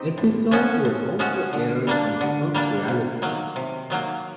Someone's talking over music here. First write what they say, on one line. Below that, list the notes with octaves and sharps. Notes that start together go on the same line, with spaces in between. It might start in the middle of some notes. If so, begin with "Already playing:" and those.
Episodes were also aired on the Fox Reality Channel.
Already playing: C4 D#4 G4
A2
F3 G#3 C#4 F#4
A2
F3 G#3 C#4 F#4
D3
G3 A#3 D4
D3
G3 A#3 D4
C3
D#3 F#3 A#3
C3
D#3 F#3 A#3